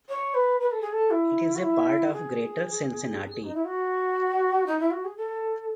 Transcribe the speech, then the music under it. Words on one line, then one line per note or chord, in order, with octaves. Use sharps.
It is a part of Greater Cincinnati.
C#5
B4
B4
A4
G#4
A4
E4
F#4
E4
G#4
D#4
E4
F#4
D#4
E4
F#4
G#4
A4